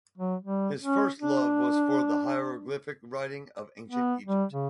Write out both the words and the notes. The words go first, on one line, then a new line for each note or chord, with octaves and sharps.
His first love was for the hieroglyphic writing of ancient Egypt.
F#3
G3
C#4
D4
B3
G3
C#3